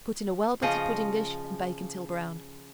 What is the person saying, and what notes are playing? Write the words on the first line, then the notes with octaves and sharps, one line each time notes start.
Put in a well-buttered pudding-dish and bake until brown.
C#3 F3 D#5